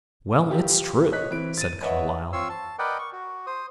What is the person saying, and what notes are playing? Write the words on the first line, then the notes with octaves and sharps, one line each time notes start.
"Well, it's true," said Carlyle.
F4 G4
C#5 D#5 F#6 B6
E3 C4 D7
A6 D#7
B4 C#5 D#5 E5 F#5
C4 F4 C#5 C6 E6
A5
A#4 B4 D5 D#5 F#5 G5
C#6
F#4
C5 D#6